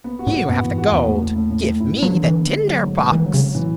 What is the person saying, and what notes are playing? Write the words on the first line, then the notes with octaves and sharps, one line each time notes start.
"You have the gold, give me the tinder-box!"
B3
F#4
A2
F#4
F#2 B3
E3
G#2
F#4
E2 B3
A2
A2
A2
A2
A2
F#2 E4
A2 B3
F#3
D3 E3
D3 E3
B3
D3
G#3
F#3
G#2
G#2
G#2 E3
D3 F#3
C#3
F#3
A2 E3